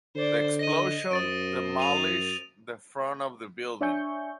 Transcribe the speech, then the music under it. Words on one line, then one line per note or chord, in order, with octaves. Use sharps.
The explosion demolished the front of the building.
D3 C5 D5
D#5 A#6 D#7
F#2 C5 D#6 A6 D7
D#7 F7
D4 C#5 E5 G#5 C#6 G6